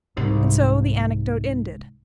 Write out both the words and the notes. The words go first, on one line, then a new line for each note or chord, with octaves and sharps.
And so the anecdote ended.
C2 G#2